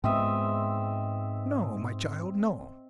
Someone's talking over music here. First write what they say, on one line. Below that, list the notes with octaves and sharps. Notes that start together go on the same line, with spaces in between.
"No, my child, no!"
G#2 G#3 B3 C4 D#5 E5